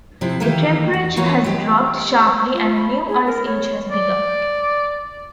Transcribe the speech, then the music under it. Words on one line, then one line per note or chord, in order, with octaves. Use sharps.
The temperature has dropped sharply and a new Ice Age has begun.
C3 F3 C4 E4
D#3 E3 A3 A#3 E4 G4
E2
E3 A#3 B3 F4 C#5
G#3 G4
F4
B5
G#4
A#4
C#5
D5